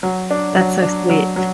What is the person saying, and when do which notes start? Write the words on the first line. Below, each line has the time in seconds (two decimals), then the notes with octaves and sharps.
That's so sweet.
0.03 F#3
0.31 D4
0.56 F#3
0.82 D4
1.10 F#3
1.36 F#3